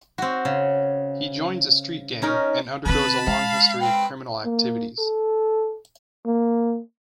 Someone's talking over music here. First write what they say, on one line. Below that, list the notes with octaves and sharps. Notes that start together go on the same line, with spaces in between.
He joins a street gang, and undergoes a long history of criminal activities.
C4 F#4
C#3
C#4 D#4 A#4
D3 C4 B4 A5 B5
G#3 F5
C4 B4 G5
A#3
A4
A#3